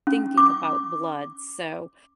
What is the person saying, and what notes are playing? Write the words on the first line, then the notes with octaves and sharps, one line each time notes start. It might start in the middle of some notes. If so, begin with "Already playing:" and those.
thinking about blood, so,
C#4
D6